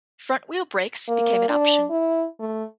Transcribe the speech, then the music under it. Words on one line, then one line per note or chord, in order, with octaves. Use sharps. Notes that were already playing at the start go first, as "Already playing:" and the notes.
Front-wheel brakes became an option.
A#3
D4
E4
A3